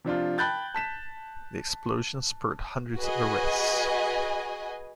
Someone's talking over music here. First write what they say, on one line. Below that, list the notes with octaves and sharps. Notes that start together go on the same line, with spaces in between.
The explosions spurred hundreds of arrests.
C3 F3 D4 F4
G5 A5 B5 F#6 G6 A6
A5 B6 E7
F#4 G#4 B4 D#5 G#5